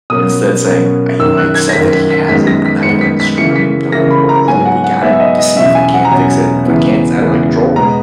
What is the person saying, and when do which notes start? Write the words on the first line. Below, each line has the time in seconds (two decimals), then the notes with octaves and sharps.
Instead saying, "Uh, you know, I accept that he has it. I'm not gonna let it destroy me, but I'm gonna work with what we got to see if I can fix it. If I can't it's out of my control,
0.10 B2 F#3 A#3 C#4 D#6
0.65 B2 F#3 A#3 C#4
1.20 F#2 D#3 A#3 E6
1.38 F#6
1.55 G#6
1.69 A#6
1.73 F#2 D#3 A#3 B6
1.92 B6
2.10 B6
2.29 F#2 D#3 G#3 B3 B6
2.47 A#6
2.65 B6
2.83 F#2 D#3 G#3 B3 C#7
3.01 B6
3.20 B6
3.38 C#3 E3 A#3 C#7
3.56 B6
3.92 C#3 E3 A#3 A#6
4.11 B5
4.29 A#5
4.47 G#2 F#3 B3 G#5
4.65 F#5
4.84 F#5
5.02 G#2 F#3 B3 E5
5.13 E5
5.20 D#5
5.38 D#5
5.57 E2 B2 F#3 C#4 E5
5.75 G#5
5.94 F#5
6.05 A#5
6.11 E2 B2 F#3 C#4 G#5
6.66 E2 C#3 E3 B3
7.20 E2 C#3 E3 B3
7.75 B2 G#3 B3 A#5